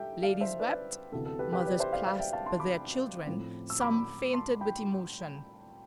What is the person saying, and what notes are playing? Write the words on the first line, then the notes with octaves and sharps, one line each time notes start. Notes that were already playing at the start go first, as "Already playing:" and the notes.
Ladies wept; mothers clasped their children; some fainted with emotion.
Already playing: G4 A4 E5 G5
D5 F5
C5 E5
B4 D5
D2 C3 E3 B3 A4
A4
G4 B4
G4 B4
B4 D5
C5 E5
D5 F5
D5 F5
E5 G5
F5 A5
A5 C6
B5 D6
A2 F3 C4
E6
B5 D6
A5 C6
G5 B5